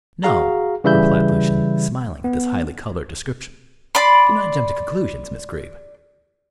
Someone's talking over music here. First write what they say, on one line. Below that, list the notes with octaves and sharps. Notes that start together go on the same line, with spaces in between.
No!" replied Lucian, smiling at this highly-coloured description. "Do not jump to conclusions, Miss Greeb.
F#4 G#4 F5 A#5
C#3 E3 G3 E5 B5 G6
B3
D5 B5 C6